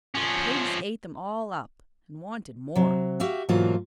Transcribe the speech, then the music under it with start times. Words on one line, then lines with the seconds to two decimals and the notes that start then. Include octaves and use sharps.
The pigs ate them all up, and wanted more.
0.15 F3 C#4
2.75 C3 F#3
3.20 F#4 G4 E5 F5
3.49 G#2 B2 E3 F#3 A#3 F4